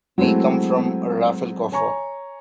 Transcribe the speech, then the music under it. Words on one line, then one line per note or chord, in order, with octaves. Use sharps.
We come from Rafelcofer.
F#3 G#3 A3 C4 E4
C#5 G#5 A#5 C#6